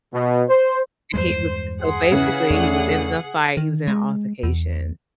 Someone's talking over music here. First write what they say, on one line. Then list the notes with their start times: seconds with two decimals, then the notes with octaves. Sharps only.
And he was so, basically he was in the fight he was in an altercation,
0.13 B2
0.49 C5
1.14 E2 G2 G#3 C5
1.82 G#4 F#5 C6
2.12 C#3 E3 B4
2.50 E2 D3 A3
3.57 D#3
3.88 G#3
4.43 E2